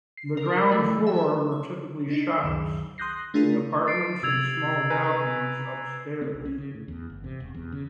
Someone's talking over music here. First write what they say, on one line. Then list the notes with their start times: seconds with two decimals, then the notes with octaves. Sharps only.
The ground floor were typically shops, with apartments and small balconies upstairs.
0.17 C7
0.37 A#4
0.72 A3
0.84 E3
1.07 E5
1.52 C#5
2.10 D4 D#4
2.42 C#2 F#2 D#3
2.98 C6 D#6 F#6 G6 A#6 C7
3.34 A3 D4 E4 F4 G#4 A#4
3.87 A6 C7 D7
4.23 C3 E6 G#6 F7
4.90 B4 G#5 A#5
6.22 C4
6.34 B1
6.45 C#4
6.58 C#3
6.75 A2
6.88 E2
7.10 G1
7.24 C3
7.40 E1
7.54 E2
7.72 C#3